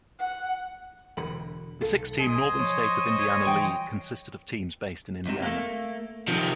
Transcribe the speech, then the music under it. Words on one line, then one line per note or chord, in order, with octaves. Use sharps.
The six–team Northern State of Indiana League consisted of teams based in Indiana.
F#5
E1 D3 B5
B1 A4
C5 D#5 G#5
F3 C#5
E3 F3 G3 G5
C2 G#2 C3
A3 A#3
C3 D#3 F3